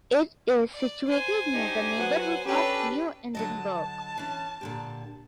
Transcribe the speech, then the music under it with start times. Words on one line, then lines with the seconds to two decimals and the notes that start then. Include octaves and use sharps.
It is situated near the neighbourhood of New Edinburgh.
0.74 D5
1.08 C5 G#5
1.54 D4 D#4 G4
1.98 F#3 B3 F#5
2.46 C#4 D4 G4 A4 B4
3.35 D3 F#3 D#5 A5
4.18 E3 C#4
4.61 A#2 D3 G4